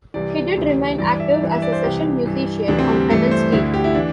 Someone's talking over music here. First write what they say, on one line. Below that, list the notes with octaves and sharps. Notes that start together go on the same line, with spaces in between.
He did remain active as a session musician on pedal steel.
C2 C3 E3 D5
D2 C3 E3
G2 E3 D5
D5
E5
D5
G2 E3
E5
D5
C5
C2 C3 E3 G4
G2 E3
D2 C3 E3 D4
C4
G3
G2 E3 A3
C5
D2 D3 E4
G4
E4
E3 D4